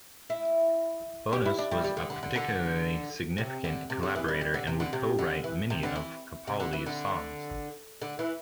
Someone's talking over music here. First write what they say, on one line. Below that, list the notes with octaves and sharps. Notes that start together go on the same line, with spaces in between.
Bonas was a particularly significant collaborator, and would co-write many of Capaldi's songs.
E4
G4
E4
D4
G3
G3
D3
D3
D3
D3
C3
D3
C3
D3
E3
G3
G3
D3
C3
D3
C3
D3
E3
C3
D3
E3
C3
D3
E3
D3
D3
E3